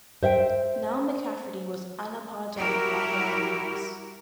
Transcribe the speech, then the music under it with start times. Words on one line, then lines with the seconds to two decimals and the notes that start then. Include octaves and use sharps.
Nell McCafferty was unapologetic about her remarks.
0.23 C5 E5 F5 G5
2.56 G3 E4 F#4 G4 A#4